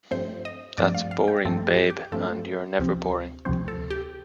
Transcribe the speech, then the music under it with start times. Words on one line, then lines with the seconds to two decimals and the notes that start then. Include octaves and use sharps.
That's boring, babe, and you're never boring!
0.11 G2 F3 A3 C4 C5
0.45 D#5
0.78 G2 F3 A3 C4 D5
0.95 F5
1.11 F5
1.28 G5
1.45 G2 F3 A3 C4 A4
1.68 G4
1.90 G4
2.12 G2 F3 A3 C4 A4
2.79 D2 C3 F3 C4
3.45 D2 C3 F3 C4 C5
3.68 A4
3.90 G4